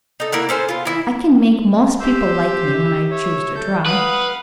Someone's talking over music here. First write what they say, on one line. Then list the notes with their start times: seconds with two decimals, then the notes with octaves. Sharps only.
I can make most people like me, when I choose to try.
0.20 D#4 A4
0.32 A#3 E4 F#5
0.49 C#4 A4 C5 G#5
0.69 B3 F4
0.85 E3 E4
2.00 G4 C6 E6 G6
2.74 E5
3.11 C#5 E5
3.56 A4 G6
3.86 B4 F5 F#5 D#6